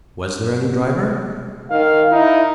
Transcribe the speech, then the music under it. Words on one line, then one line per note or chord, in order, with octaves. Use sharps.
Was there any driver?
D#3 F5
D#4 E4